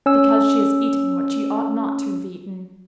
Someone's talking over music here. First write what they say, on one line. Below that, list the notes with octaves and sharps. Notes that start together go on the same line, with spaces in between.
'Because she has eaten what she ought not to have eaten.
C#4 E6